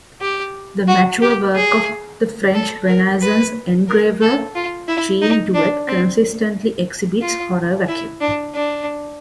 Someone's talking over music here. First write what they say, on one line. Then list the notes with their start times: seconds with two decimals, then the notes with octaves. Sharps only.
The mature work of the French Renaissance engraver Jean Duvet consistently exhibits horror vacui.
0.21 G4
0.88 F#4
1.22 G4
1.55 G#4
2.54 A4
2.87 A#4
3.22 B4
3.88 A#4
4.21 A4
4.55 F4
4.88 E4
5.21 D#4
5.54 D4
5.87 C4
7.21 F4
7.88 E4
8.21 D4
8.54 D4